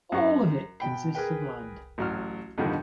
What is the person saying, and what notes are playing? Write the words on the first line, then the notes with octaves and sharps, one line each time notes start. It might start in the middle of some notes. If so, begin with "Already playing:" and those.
All of it consists of land.
F#2 C#6
B2 G5 B5
G#4 A#4 B4 G5
A1 F#3 F6
F2 B2 D3 D#3 G3